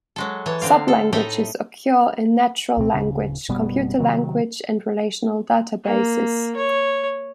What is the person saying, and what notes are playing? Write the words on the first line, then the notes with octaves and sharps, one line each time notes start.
Sublanguages occur in natural language, computer language, and relational databases.
F#3 G#3 A4
E3 C#5 A5
D3 C4 F5
A4
A2 D#4 A4 D#5 E5 A#5
C#2 B2 C4
D1 C#3
F#1 B2 G3 B3
C3 D#3 F#3
A#3
C#5